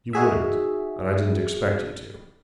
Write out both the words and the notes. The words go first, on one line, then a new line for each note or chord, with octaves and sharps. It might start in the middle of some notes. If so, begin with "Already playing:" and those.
You wouldn't, and I didn't expect you to.
D#4 F#4 G#4 E5